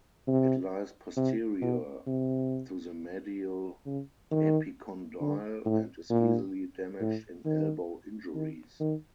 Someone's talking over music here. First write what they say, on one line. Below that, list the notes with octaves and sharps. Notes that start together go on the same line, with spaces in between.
It lies posterior to the medial epicondyle, and is easily damaged in elbow injuries.
C3
C3
B2
C3
C#3
D#3
D3
A2
A#2
A2
D#3
D#3
D#3